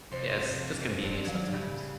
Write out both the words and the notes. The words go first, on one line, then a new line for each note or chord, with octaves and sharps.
yeah, it's just convenient sometimes.
F2 C3 C5 C6
C3
A6
D1 C4 D4
G2 D#3 F#3 D4 F5 G#6
A2 C#3 G3 E4